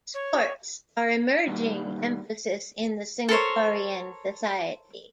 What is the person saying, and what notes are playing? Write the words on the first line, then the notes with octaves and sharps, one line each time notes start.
Sports are an emerging emphasis in the Singaporean society.
C#5
G2 B2 D#3 G3 A#3 B3
A4 A#4 C5 C#5